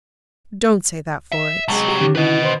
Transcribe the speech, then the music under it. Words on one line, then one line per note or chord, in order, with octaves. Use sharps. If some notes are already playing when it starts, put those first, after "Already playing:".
"Don't say that, Florence."
E5
C3 F#3 G#3 A5
G4 A#5
D3 D#3 C#4 G4
E4 B4 D#5
C5